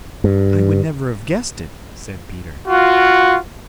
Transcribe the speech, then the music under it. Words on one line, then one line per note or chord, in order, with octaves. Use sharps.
"I would never have guessed it," said Peter.
G2
F4 F#4